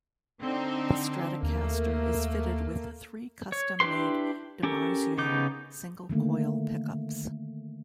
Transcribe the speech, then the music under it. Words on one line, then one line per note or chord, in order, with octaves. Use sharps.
The Stratocaster is fitted with three custom made DiMarzio single coil pickups.
D3 C4 D#4
D#2 A3 A#3
C#5
D4 E4 G4 B4 C6
C#4 G4 A4 A#4
C#3 B3 D#4 D6 G6
D3 D#3 A3 A#3